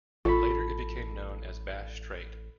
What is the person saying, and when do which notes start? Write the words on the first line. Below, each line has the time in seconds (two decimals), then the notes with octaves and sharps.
Later it became known as Bass Strait.
0.25 A1 F4 A4 B5